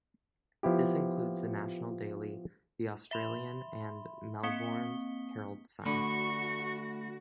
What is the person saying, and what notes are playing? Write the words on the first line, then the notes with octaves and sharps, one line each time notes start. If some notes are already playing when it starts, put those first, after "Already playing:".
This includes the national daily "The Australian" and Melbourne's "Herald Sun".
F3 B3 E4 G4
E5 B5 C6
A#3 C4 B6 C#7 G7
D3 A3 F#4 B5 C#6